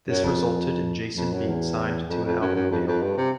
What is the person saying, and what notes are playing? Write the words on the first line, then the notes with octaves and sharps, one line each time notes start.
This resulted in Jason being signed to an album deal.
F#2
F2
F2
F#2
E2
F2
F2
F#2
F#2
F2
F2
G2
C3